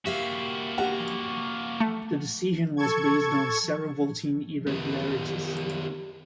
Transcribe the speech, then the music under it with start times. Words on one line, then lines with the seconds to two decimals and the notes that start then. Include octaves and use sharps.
The decision was based on several voting irregularities.
0.06 A#3 F#4 G4 E5 F5
0.78 G4 F#5 A#5
1.80 A3
2.77 A4 C#6 G#6
4.67 D#3 B3 G4